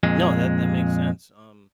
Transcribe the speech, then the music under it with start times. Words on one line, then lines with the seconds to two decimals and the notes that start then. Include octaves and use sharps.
No, that that makes sense, um,
0.03 F2 A#2 G#3